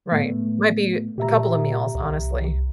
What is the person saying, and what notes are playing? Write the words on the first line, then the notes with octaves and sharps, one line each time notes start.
Right, might be a couple of meals, honestly.
A2 A3 B3
A#2 G4 E5 A#5
C2